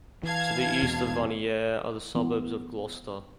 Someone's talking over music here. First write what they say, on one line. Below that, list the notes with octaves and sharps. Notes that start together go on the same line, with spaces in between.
To the east of Vanier are the suburbs of Gloucester.
E3 F5 A5 G#6
E2 B2
E3 B3